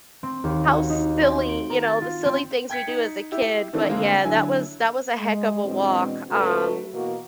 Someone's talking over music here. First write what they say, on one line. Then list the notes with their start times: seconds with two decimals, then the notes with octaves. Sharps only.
how silly you know, the silly things we do as a kid, but yeah, that was that was a heck of a walk, um
0.23 C4
0.44 D#2
0.68 F#4
0.90 D#4
1.22 C4
1.49 D7
1.70 A#4
1.83 A6
2.02 F4
2.25 C4
2.70 G5 G#6 B6 C#7
2.88 D#4
3.32 E4 G4 E5
3.73 D#3 E3 A3 C4 D4 G4
3.87 D3 G#3 A#3 C4 D4
4.23 D3 F#3 E4 G#5
5.20 G#3
5.65 B2 E3 G#3 C4 D4
6.30 G#2 C#3 A3 F#4 B4
6.94 B2 E3 A#3 F#4